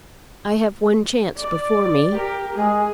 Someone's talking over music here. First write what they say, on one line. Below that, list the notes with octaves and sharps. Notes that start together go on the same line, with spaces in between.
I have one chance before me.
D5
G4 A#4
G#3 G#4